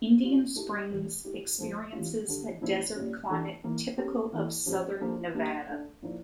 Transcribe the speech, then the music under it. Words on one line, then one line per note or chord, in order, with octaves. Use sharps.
Indian Springs experiences a desert climate, typical of southern Nevada.
G3 C#4 F4
A3 E4 G4 A#4
A2 E3 G3
A3 E4 G4
A2 F3 A3
E3 G3 C#4 F4
D3 G3 D4 A4
A#2 F3 C#4 E4
A#2 G3 C#4
E3 A3 D4
E3 A#3 E4
A3 C#4 G4 A#4
E3 A#3 E4 A4
A2 F3 C#4 G4
F3 A#3 D4 A4
G3 A#3 D4 G4 A#4
A3 D4 A4
A#2 F3 A#3 E4